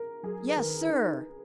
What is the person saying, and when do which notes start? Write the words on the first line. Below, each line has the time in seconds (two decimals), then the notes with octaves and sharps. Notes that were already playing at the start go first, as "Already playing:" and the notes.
"Yes, sir."
Already playing: A#4
0.23 F#3 G#4
0.48 B4
0.57 D#3 A#4
0.90 D#4